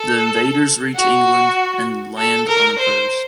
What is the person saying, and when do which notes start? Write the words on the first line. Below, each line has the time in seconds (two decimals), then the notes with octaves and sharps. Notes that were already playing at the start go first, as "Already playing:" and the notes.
The invaders reach England, and land unopposed.
Already playing: A4
0.96 F#4
2.18 A4
2.48 A#4
2.78 C5